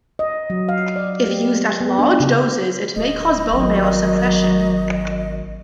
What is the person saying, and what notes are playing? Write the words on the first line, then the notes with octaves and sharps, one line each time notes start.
If used at large doses it may cause bone marrow suppression.
D#5
F#3
F5
D5
G4
B3
D4
C#3
D1 D#5
G#1 F#3 A#3